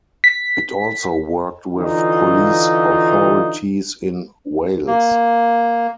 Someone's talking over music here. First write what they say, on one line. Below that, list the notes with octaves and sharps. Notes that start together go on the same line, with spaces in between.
It also worked with police authorities in Wales.
B6
D3 E3 D#4 F4
A#3